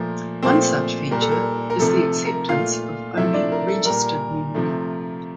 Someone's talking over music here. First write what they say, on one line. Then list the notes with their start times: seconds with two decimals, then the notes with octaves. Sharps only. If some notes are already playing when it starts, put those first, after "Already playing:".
One such feature is the acceptance of only registered memory.
Already playing: A#2 F3 A3 A#4
0.43 A#2 F3 A3 C4 C5
1.11 A#2 G3 A#4
1.22 A4
1.31 A#4
1.70 A#4
1.80 C3 F3 A3 A4
2.03 A4
2.25 A#4
2.49 A#2 A3 F4 F5
3.17 C3 F3 A3 E4 E5
3.34 D4 D5
3.52 A#4
3.68 A4
3.85 A#2 G3 A#4
4.54 C3 F3 A3